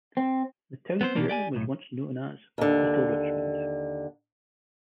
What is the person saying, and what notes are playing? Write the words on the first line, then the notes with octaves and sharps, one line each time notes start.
The town here was once known as 'Little Richmond'.
C4
B3 C4 B4 C5
B2 D#3 E3 A#3 D4
G4 D5 G5 G#5
B1 A2
D#2 D3